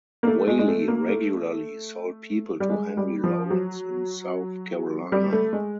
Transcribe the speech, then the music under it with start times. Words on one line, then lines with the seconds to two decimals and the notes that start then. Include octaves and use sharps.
Whaley regularly sold people to Henry Laurens in South Carolina.
0.23 A#3
0.27 A3
0.47 G#3
0.59 G#3
0.68 A3
0.88 A#3
1.08 A3
2.60 G3
2.70 G#3
2.97 G3
3.24 F3
3.50 F#3
5.12 G3
5.33 A3
5.53 G#3